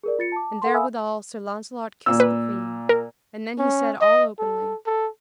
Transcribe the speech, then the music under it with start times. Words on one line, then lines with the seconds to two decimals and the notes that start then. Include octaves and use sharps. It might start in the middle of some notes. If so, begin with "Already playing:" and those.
And therewithal Sir Launcelot kissed the queen; and then he said all openly.
0.03 G#4 A#4 D5
0.19 F4 A6 C#7
0.32 A5 D6
0.62 A4 F#5 C6
0.74 E5 F5 G#5 B5 D#6 E6
2.06 A#2 E6
2.20 B4
2.89 A#4
3.59 C#4
4.01 D#5
4.39 A4
4.86 A4